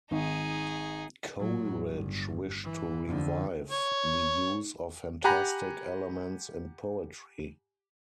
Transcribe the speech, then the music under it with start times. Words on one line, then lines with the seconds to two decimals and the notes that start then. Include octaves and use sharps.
Coleridge wished to revive the use of fantastic elements in poetry.
0.11 G#1 D#4 G#4
1.38 A2 F#3
1.89 G1
2.64 E3
3.06 F2 D3
3.70 C#5
5.24 G4 F#5 G#5 A#5 B5